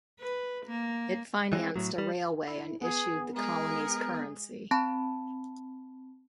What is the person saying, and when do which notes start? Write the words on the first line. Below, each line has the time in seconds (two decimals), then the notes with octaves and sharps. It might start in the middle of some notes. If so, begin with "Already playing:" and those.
It financed a railway and issued the colony's currency.
0.20 B4
0.66 A#3
1.53 E3 G#3 C4
1.76 A2 F#3
1.98 G3
2.47 E4
2.81 B3 G#4
3.33 G#3 G#4 A#4
4.71 C4 A5 B5